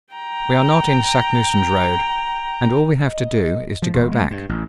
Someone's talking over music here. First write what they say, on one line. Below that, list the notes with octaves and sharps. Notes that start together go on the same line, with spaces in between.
We are not in Saknussemm's road, and all we have to do is to go back.
G5 A#5
D#5
F3
E1
G#3
G2
A1